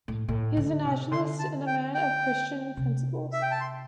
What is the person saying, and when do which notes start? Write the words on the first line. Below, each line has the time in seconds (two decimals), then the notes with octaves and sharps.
He is a nationalist and a man of Christian principles.
0.08 A2
0.29 A2
0.57 D3
0.85 C3
1.12 D3 C6
1.39 A5
1.67 G5
1.94 G5
2.77 C3
3.33 E5
3.42 G5
3.51 A5
3.61 C6